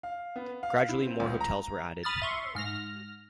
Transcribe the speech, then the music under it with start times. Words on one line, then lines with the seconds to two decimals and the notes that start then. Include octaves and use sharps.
Gradually more hotels were added.
0.03 F5
0.36 B3
0.63 F5
0.89 E4
1.02 C4
1.20 C#2
1.41 A#5
2.03 B5 D#6 F6 A6
2.22 E5 C6 C#6
2.55 G#2 F6 A#6